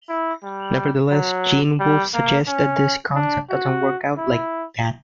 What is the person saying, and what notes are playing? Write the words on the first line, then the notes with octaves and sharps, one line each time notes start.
Nevertheless, Gene Wolfe suggests that this concept doesn't work out like that.
E4
G3
F#3
G3
A#3
C#4
D4
F#4
E4